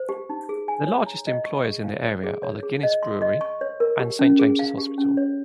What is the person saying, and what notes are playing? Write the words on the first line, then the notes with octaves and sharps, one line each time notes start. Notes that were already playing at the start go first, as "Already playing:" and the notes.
The largest employers in the area are the Guinness Brewery and Saint James's Hospital.
Already playing: C5
G4
D#4
G#4
G#5
C#5
A#5
D#5
C#6
G#4
F5
C#5
G#4
C#5
G#4
D#5
C6
D#5
C#6
C#5
A#4
G4
C#4
G#4
F5
G4
C#4
C#5